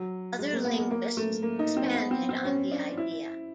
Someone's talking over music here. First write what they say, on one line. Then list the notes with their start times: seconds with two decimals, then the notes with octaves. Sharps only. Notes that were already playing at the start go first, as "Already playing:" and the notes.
Other linguists expanded on the idea.
Already playing: F#3
0.39 G#3
0.52 A#3
0.65 B3
0.78 A#3
0.91 A#3
1.17 A3
1.43 A#3
1.59 D#4
1.77 C4
1.94 B3
2.11 C4
2.29 C4
2.45 C#4
2.71 D4
2.97 E4